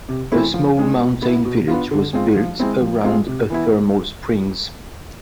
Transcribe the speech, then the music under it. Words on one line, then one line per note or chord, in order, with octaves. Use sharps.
A small mountain village was built around a thermal springs.
C3
E3 A3 C4 E4
F3
G#3 D4
B2
B3 E4
B2
B3 D4 F4
D3
G#3 C4 F4
F3
G#3 C4 E4
F3
G#3 C4 F4
C3
E3 B3 E4